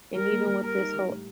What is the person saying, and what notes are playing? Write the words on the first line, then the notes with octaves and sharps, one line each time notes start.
and even with this whole
G3 A#4
A#3
G3
G3 A#4
D#4
G3
A2